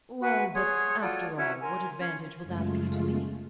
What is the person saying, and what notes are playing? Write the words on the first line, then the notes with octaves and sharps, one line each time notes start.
"Well, but, after all, what advantage will that be to me?"
F#4 B4 F#5 G#5
G#4 C#5 C6 F#6
F4 F#4 A4 D5
C#4 E4 F#4
A#4 G#5 C6
C#4
F#2 C#3 G#3 A3 F4